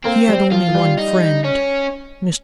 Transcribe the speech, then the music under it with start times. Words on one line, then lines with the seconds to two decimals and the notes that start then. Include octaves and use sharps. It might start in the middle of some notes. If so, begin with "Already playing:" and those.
He had only one friend--Mr.
0.04 A#3 C4
0.28 G3
0.51 F3 F4
0.68 F3
0.75 G3
0.98 D#4
1.44 C#4